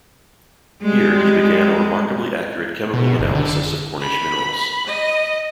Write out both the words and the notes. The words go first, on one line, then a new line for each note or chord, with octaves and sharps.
Here, he began a remarkably accurate chemical analysis of Cornish minerals.
G3 G#3
B2
F#1
D3
B5
D#5